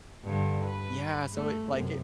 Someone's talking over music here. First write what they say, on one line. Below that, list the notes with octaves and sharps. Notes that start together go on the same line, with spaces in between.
Yeah, so, it like, it
G2 D3
B4
A3
F#2 C3